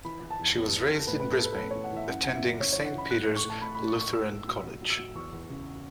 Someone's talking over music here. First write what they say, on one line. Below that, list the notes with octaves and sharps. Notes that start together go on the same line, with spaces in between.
She was raised in Brisbane, attending Saint Peter's Lutheran College.
E3 B5
E3
A5
E2
E2
E2
E2
A2 B4
A2 B4
A4
A2 B4
A4
A2 B4
E3 C#5
F#5
E3 E5
F#2 F#5
C#3 F#5
E5
F#2
C#3 C#5
E3 C#5
F#5
E3 B5
A2 F#6
A2 F#6
C#6
A2 A5
A2 B5
A2 B5
C#6
A2
C#6
A2 E6
A2
F#3
F#3
F#3
E6
F#3
E2 C#6
E2
C#3